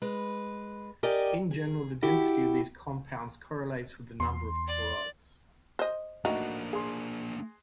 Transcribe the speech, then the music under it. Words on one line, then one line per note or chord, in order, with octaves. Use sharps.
In general the density of these compounds correlates with the number of chlorides.
G#3 B4
G4 A#4 D5 D#5 G5 G#5
G#4
E4 F#4 G4
E2 C6
D5
C5 D#5
A3 A#3 D4 D#4 F#4
G#4 C6